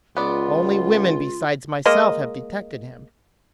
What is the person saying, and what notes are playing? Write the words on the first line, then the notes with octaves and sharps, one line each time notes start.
Only women besides myself have detected him.
C#2 B3 F4 D5
G#3 A#3 D#5